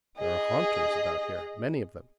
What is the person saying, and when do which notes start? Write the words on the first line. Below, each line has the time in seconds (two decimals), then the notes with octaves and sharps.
There are haunters about here,--many of them.
0.18 G#4 D#5